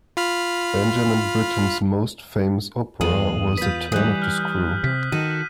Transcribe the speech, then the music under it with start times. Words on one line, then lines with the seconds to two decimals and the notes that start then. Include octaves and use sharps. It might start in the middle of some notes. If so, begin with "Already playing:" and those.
Benjamin Britten's most famous opera was The Turn of the Screw.
0.17 F4 B5 F6
3.01 E2 G#3 F4 D#6 D#7 F#7
3.58 F4 B4 G6 B6
3.92 E3 G3 D#6 F#6 G6
4.22 F6
4.84 C3 B6
5.12 D#3 F#4 A4 D#7